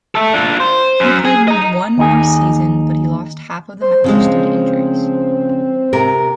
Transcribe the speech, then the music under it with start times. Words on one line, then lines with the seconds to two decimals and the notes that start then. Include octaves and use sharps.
He played one more season but he lost half of the matches due to injuries.
0.15 A4 E5
0.33 D4 F4
0.60 C5
1.00 F#2
1.25 G#4
1.48 D#5 A#5
1.98 D#2 D#4 G#4
3.81 C5
4.04 C#3 F3 G#3 C4
5.93 C3 A#4